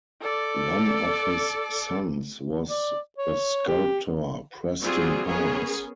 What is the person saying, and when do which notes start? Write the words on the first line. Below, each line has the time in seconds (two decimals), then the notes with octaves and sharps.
One of his sons was the sculptor Preston Powers.
0.21 A4 D5
2.70 D5
3.18 C#5
3.68 G4
4.82 F#3 G3 C4 F4 F#4 G#4
5.28 B3 C#4 G#4 A#4 C#5